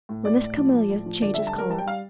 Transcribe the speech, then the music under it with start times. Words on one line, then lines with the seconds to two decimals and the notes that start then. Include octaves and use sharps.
"When this camellia changes colour."
0.09 A2
0.25 A2 D5
0.41 A2
0.58 F3
0.73 F3
0.90 A2
1.06 F3
1.22 D3 D5
1.34 G3 E5
1.47 A5
1.55 G3 A#4
1.70 G3 A5
1.79 G5
1.86 G3 F5